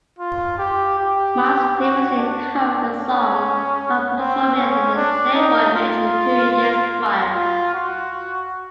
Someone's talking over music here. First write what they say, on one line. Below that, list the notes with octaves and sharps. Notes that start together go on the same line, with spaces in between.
Mars previously covered the song while performing at the Playboy Mansion two years prior.
F4
G4
G4
F#4
D4
C#4
C4
C#4
D4
D#4
F4
F4
F#4